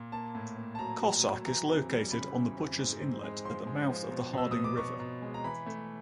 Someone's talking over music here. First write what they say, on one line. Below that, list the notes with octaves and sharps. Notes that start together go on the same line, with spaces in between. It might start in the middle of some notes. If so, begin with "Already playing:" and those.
Cossack is located on Butchers Inlet at the mouth of the Harding River.
Already playing: A#2
A#3 A5
A2
A#3
A5
F#3 A#5
F#3
F#3
E3 A#5
F2
G3
C#3 B5
E3
F2
G#2
C4
G#3
F3 C6
G#3
F3
B2
B2 E6
B3 D#6
D6
B2 C#6
B2
G#3
A#5
E3 B5
A3